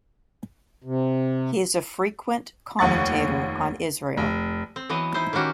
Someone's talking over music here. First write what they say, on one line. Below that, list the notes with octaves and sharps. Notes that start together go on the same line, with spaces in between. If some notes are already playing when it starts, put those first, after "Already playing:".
He is a frequent commentator on Israel.
C3
F1 D#2 F#5 C#6 A6
F1
C4
E3 F#3 B3 D#5
D#4 E4 C5
D#3 A#3 C#4 F#4 G4